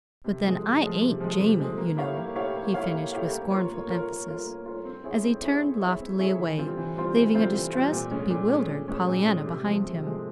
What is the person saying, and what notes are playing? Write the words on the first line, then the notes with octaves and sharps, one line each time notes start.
"But, then, I ain't 'JAMIE,' you know," he finished with scornful emphasis, as he turned loftily away, leaving a distressed, bewildered Pollyanna behind him.
C3
F3 G#3
C3
F3 G#3
C3
F3 G#3
C3
F3 G#3
A#3
E4 G4 C#5 F5
A#3
E4 G4 C#5 F5
A#3
E4 G4 C#5 F5
A#3
E4 G4 C#5 F5
A#3
F4 A#4 C#5
A#3
F4 A#4 C#5
A#3
F4 A#4 C#5
A#3
F4 A#4 C#5
C4
E4 G#4 C#5 E5
C4
E4 G#4 C#5 E5
C4
E4 G#4 C#5 E5
C4
E4 G#4 C#5 E5
E3
G3 C4 F4 C5
E3
G3 C4 F4 C5
E3
G3 C4 F4 C5
E3
G3 C4 F4 C5
A#2
G#3 C#4
A#2
G#3 C#4
A#2
G#3 C#4
A#2
G#3 C#4
C3
F3 G#3
C3
F3 G#3